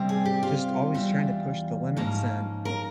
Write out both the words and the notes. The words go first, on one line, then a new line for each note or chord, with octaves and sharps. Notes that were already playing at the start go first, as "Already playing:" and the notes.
just always tryna push the limits and,
Already playing: C3 G3 C4
G#4
G4
F4
E2 E3 G3
G#2 F3 A#3 C#4
A#4